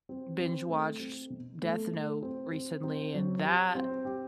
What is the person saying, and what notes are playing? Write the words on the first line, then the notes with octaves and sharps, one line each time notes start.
binge-watched Death Note recently and that
C4
C4
A3
C4
B2
A3
A3
C4
C4
C4
F#3
G4
C4
G4